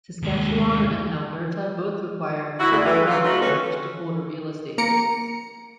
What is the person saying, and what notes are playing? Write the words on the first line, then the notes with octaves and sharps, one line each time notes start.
Saskatchewan and Alberta both require property managers to hold a real estate license.
D#2 G#3
E4 F#4
F#2 D3 G#3 A3
E3
F#3 A3 F4
A3 D#4 F4 F#4 B4
C3 C#4 F#4 A4 B4
A#3 A#5 C#7 D7